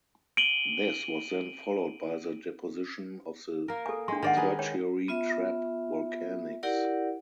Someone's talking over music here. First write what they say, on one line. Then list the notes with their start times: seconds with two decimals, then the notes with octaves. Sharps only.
This was then followed by the deposition of the Tertiary Trap Volcanics.
0.37 D7 D#7 F#7 G7
3.68 A#3 A#4
3.86 A4 G#5
4.08 G#3 D4 C6
4.22 D#3 D4 D5 F#5
4.36 D#4 G#4 B4
4.59 C#5 G5
5.08 B3 F4 E5
6.63 E4 G4 A#4 D5 F#5